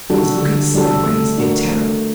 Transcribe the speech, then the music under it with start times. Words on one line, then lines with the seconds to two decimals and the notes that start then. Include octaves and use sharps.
He is looking sideways in terror.
0.10 G3 D4 F#4 A4
0.42 D3
0.74 G3 D4 F#4 A4
1.06 A3
1.38 D4 F#4 A#4
1.69 A3